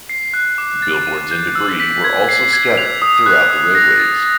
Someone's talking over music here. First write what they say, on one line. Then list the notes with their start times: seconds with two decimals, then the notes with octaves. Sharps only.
Billboards and debris were also scattered throughout the roadways.
0.09 C7
0.34 F#6
0.58 D6
0.82 A6
1.07 D#7
1.31 G6
1.55 E6
1.80 B6
2.04 G#6
2.29 C7
2.53 G#6
2.77 F7
3.02 D#6
3.26 F#6
3.50 D#6
3.75 A#6
3.99 A6